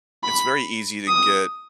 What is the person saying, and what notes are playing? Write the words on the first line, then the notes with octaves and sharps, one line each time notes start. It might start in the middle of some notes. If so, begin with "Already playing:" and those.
it's very easy to get
B5
D#6